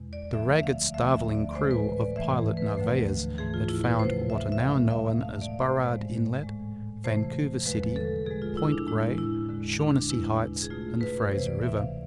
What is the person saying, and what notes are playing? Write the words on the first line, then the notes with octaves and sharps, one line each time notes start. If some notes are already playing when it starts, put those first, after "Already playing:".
The ragged starveling crew of Pilot Narvaez had found what are now known as Burrard Inlet, Vancouver City, Point Grey, Shaughnessy Heights, and the Fraser River.
Already playing: E2 B2 G#3
D5
D2 D3 F3 A3 E5
E5
F5
D2 D3 F3 A3 E5
E5
D5
D5
A2 E3 G#3 C5
B4
D5
G#2 E3 A3 E5
B4
D2 D3 F3 A3
G#2 E3 A3 G#4
F4
E4
B4
D2 C3 F3 A3 C5
E5
E5
A2 G#3 F5
E5
B2 A3 F5
D5
C5
G#2 G#3
A2 G#3
F2 C3 E3 A3 C5
E2 D3 F3 G#3 B4
A4
B2 G#3 G#4
F4
E4
D4
A2 G#3 E4
E4
E2 D3 G#3
D4
E2 B2 G#3 E4
G#4
B2 A3 F4
B4
D2 C3 E3 C5
D5
E5
F5